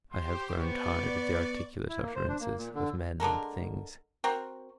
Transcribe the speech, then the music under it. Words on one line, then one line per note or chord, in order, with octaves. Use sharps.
I have grown tired of the articulate utterances of men and things.
G4 C5 C6
B3 D5 C#6
E4
A#3
C5
D4
A#3
A#2
D3
D3 G#3 A4 A#4
C4 F#4 A#4